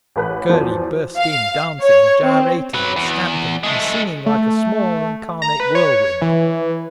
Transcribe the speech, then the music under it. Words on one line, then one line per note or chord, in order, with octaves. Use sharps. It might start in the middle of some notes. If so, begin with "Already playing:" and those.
Curdie burst in dancing and gyrating and stamping and singing like a small incarnate whirlwind.
A1 B4 F#6
E2 F3 F#4 C5
F5
C#5
C4
F#3 B4
E2
G#3 A3
A3
A#5
B4
C#5
E3